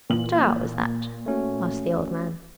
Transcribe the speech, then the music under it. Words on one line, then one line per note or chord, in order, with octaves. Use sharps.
"What hour was that?" asked the old man.
A#2 E3 F#7
A3 C#4 F#4